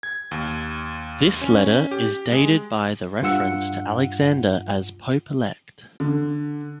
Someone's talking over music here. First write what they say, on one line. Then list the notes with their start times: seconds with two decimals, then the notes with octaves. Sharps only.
This letter is dated by the reference to Alexander as "Pope-elect".
0.03 G#6
0.31 D#2
1.41 C#4
1.91 G4
2.31 G#3
3.22 G2 F4 F#5 E6 C#7
6.00 D3